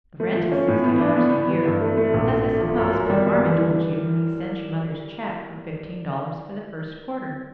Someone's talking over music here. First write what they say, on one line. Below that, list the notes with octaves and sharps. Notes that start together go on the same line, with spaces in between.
The rent is sixty dollars a year, as I suppose Bill Harmon told you when he sent you mother's check for fifteen dollars for the first quarter.
A3
F3
C#4
A2
B3
D4
B3
B3
E3
G2
A3
A3
A#1
A3
A3
F3
F#2
F#2
G3
G3
E3
E3